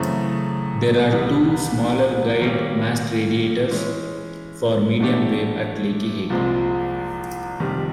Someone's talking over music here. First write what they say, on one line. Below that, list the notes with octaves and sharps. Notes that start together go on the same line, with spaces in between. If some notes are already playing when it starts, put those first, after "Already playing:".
There are two smaller guyed mast radiators for mediumwave at Lakihegy.
Already playing: F#2 C#3 E3 A3 C4
C2 C3 E3 G3 B3
D#3 G3 A#3 C#4
E3 G#3 C#4
G#2 E3 A3 D4 G4
C2 A#2 F3 G#3 C4
F2 C3 D#3 G3